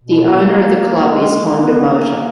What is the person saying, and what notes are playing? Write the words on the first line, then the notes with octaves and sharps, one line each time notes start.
The owner of the club is Honda Motor.
B2
B3
A#3
A#3
G#3
A#3
B3
A#3
A#3
A#3